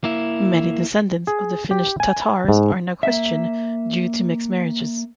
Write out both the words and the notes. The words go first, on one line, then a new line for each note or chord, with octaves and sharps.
Many descendants of the Finnish Tatars are now Christian due to mixed marriages.
A#3 E4
G#4
G4
G#5
G#2
A#3 E5